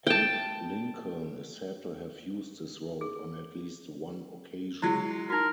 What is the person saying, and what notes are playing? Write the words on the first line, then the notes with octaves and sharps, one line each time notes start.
Abe Lincoln is said to have used this road on at least one occasion.
G5 A5
G#4
F#3 G#3 E4
D#4 F#4 A#4